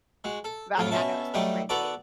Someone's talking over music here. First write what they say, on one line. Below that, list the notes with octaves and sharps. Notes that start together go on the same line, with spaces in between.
but I mean, I know it's not brand-new.
G#3 F#4
A4
F2 A2 F#3 F4 D6
B2 C#4 E5 A5
F#3 G3 A3 D#5 G5
B3 F#4 A4 D5 A#5 D6